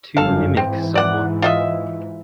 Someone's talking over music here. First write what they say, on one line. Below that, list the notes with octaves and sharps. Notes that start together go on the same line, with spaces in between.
To mimic someone.
G1 F#2 A4 F5
G#2 E3 C4
D5 F#5
F4 D#5 E5